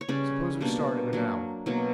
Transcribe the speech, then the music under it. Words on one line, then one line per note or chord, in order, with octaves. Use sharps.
Suppose we start in an hour.
C#5
C#3 G3 C#4 D5
B2 G3 A#3 D4
F#3 A#3 D4
B2 F#3 A#3